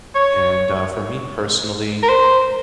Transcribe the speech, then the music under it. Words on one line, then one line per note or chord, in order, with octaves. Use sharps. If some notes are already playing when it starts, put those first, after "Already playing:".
and, uh, for me personally,
C#5
A#4
C5